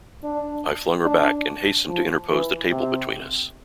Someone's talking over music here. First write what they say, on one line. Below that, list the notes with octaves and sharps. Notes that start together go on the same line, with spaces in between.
I flung her back, and hastened to interpose the table between us.
D4
D4
F3
E3
C3